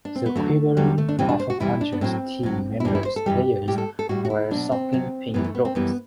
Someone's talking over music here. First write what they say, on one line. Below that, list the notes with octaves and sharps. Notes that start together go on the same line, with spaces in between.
The Quiberon Quafflepunchers team members players wear shocking-pink robes.
D4
C4
B3
E2 D3 F#3 A3
E2 D3 F#3 G3
A3
D4
E2 C3 E3 G3 C4
D4
C5
F#4
E2 C3 E3 G3 E4
D4
B3
A2 F#3 C4
A2 F#3
E4
F#2 E3 G3 D4
E4
C5
A4
F#2 E3 G3 G4
A2 G3 G4
A4
A4
A2 G3 F#4
F#4
E4
B2 F#3 D4
C4
B2 F#3
F#2 E3 G3 B3
A3
B3
C4
F#2 E3 G3 B3